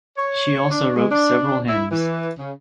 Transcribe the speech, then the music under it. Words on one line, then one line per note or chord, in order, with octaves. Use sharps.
She also wrote several hymns.
C#5
D4
G#3
D4
E4
E3
C#3